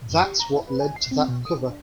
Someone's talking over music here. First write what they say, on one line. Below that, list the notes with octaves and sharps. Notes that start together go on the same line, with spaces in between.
That's what led to that cover.
F#2
G4
A#5
E4
B4
G#5
C7
C4
B2
D#6
D4